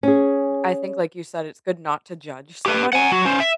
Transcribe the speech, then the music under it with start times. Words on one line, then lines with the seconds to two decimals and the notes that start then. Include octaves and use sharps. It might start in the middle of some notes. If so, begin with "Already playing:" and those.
I think, like you said, it's good not to judge somebody
0.03 C#4 G#4
2.66 G4 B4
2.93 F#5 G#5
3.12 F#3 F#4
3.25 C#4 C5
3.40 E5